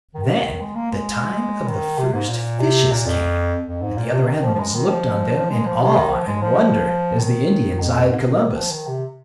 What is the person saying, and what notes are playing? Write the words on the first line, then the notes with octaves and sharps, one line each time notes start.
Then, the time of the first fishes came, and the other animals looked on them in awe and wonder as the Indians eyed Columbus.
D#3
C3
D#3
D#3
G#3
A#3
G#3
D#3
C3
G#2
A#2
C3
A#2
F2
F2
G#2
A#2
C3
D#3
F3
F3
G#3
D#3
F3
F3
G#3
F3
C3
D#3
F3
G#3
F3
D#3
F2
G#2
C3
A#2
D#3
F3
D#3
C3